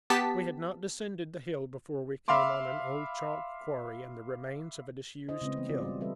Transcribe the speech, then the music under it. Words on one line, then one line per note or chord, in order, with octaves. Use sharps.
We had not descended the hill before we came on an old chalk quarry and the remains of a disused kiln.
B3 G4 A5 B6
E5 F5 B5 C6 D6
E4 C5 D#5
C#3 G#3 A3 C4 E4 B4
C#3 E3 B3
F4 F#4 D5
B2 G3
E3 G3 C4 A4 B4 E5